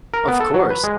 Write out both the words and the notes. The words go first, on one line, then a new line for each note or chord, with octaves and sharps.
Of course.
A#4
B3
A4
F#3
B4
G#3